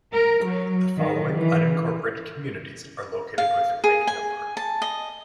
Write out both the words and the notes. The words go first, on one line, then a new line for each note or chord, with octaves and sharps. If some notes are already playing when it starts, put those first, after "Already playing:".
The following unincorporated communities are located within Lake No.
A#4
F#3
D#3
E3
F5
G#4
G#5
A5
D#5